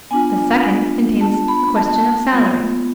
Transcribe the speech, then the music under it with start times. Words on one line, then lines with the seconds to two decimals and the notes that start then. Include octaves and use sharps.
The second contains the question of salary.
0.11 B3 D4 F4 G#5
1.21 A5
1.48 B5
1.76 A5
2.31 G#3 B3 F4